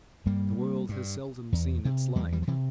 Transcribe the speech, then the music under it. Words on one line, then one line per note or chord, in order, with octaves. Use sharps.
'The world has seldom seen its like.'
G2 G3 A#3
G2
E2
C3
E2 G3 A#3
E3 G3
F3
C3 E3